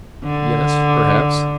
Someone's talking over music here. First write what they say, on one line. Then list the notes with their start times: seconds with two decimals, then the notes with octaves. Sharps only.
"Yes, perhaps."
0.24 D3